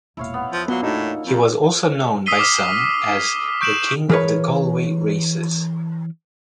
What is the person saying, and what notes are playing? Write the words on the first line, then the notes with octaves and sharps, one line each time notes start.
He was also known by some as the "King of the Galway Races".
E1 A#2 E4 C#5 F5
B3
E2 F3
A#2 F#3 B3 F5
A2 D4 D#4 F#4
F2
D#6 E6 B6 C7 D#7 G7
D6 F6 B6
C#6 G6 D7 E7 F#7
E3 G#4 A#4 B4 C#5